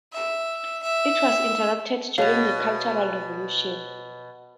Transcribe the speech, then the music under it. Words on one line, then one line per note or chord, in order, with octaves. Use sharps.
It was interrupted during the Cultural Revolution.
E5
E5
B2 C#5 F5 F7